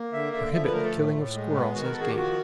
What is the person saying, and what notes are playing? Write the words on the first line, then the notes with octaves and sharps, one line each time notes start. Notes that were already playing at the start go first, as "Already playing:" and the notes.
Prohibit the killing of squirrels as "game."
Already playing: A#3
D3 E5
D3 E5
F3 E5
B4
A3 A#4
A4
A2
A2
G#3
B3
D#3 F#4
A#4
A4
D#3 G#4
G4
F3 F#4